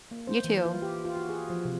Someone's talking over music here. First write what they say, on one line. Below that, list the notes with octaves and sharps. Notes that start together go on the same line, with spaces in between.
You too.
A#3
C5
E3
F4
G4
F4
F#4
G#4
F3
C3